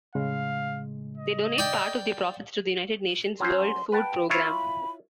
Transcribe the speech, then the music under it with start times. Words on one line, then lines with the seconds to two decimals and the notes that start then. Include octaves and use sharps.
They donate part of their profits to the "United Nations World Food Programme".
0.15 A2 C#3 G#3 F5
1.17 D#5
1.58 D5 G5
3.40 F#3 C#4 C5 C6
3.92 B4 F#5 G5 A5
4.30 E4 F4 C#5 B5